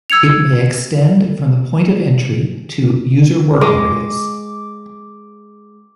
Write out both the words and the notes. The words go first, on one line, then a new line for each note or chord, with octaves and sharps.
It may extend from the point-of-entry to user work areas.
E6 G#6 C#7 F7
G#3 D6